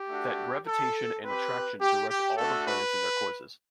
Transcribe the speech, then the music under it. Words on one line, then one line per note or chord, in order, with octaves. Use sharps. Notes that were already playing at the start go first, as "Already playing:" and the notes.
That Gravitation and Attraction direct all the Planets in their Courses.
Already playing: G4
A3 D4 F#4
A4
C4 G4 B4
G4
G4
A3 D4 F#4 A4
B4